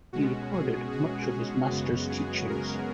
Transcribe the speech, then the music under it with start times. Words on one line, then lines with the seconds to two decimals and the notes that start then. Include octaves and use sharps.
He recorded much of his master's teachings.
0.13 B2 G#3 C#4 F#4
0.53 G#4
0.92 F#4
1.31 F#4
1.71 F#2 C#3 G#3 B3
2.10 G#4
2.50 A#4